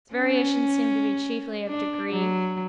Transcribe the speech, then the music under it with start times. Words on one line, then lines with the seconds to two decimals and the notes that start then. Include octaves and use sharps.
Its variations seem to be chiefly of degree.
0.15 C#4
1.68 D4
2.11 F#3